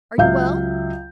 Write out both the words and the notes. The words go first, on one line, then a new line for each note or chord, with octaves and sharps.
"Are you well?"
C#2 F#3 E5 F5 G6